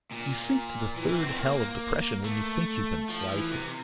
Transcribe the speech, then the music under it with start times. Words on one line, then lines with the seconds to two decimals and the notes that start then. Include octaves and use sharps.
You sink to the third hell of depression when you think you've been slighted.
0.12 A#2
0.96 E3
1.07 E3
1.17 C4
1.28 C4
1.39 A#3
2.24 A3
3.09 F3
3.30 E3
3.51 C3